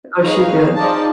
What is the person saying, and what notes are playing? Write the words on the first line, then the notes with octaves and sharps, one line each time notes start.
Oh, she did.
D#4 G#4 B4 C#5 F5
F3 D#4 G#4 D5 A5